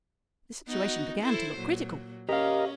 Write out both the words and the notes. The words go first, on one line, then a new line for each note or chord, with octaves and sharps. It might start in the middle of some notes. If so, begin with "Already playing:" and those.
The situation began to look critical.
B3 D#4 F#4
E4 A4 C5
A#2 F#3
C#4 G4 A#4 D#5 F5